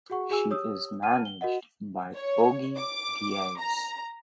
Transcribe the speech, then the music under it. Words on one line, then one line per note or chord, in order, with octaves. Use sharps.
She is managed by Ogie Diaz.
F#4 G#4 F#5 C#6
F#4 G#4 G#5 E6
G4 C#5 D#6 E6
F#5 A5 F6 D#7
G7
F#4 A#4 D#5 F#5
C#5
D6
A#5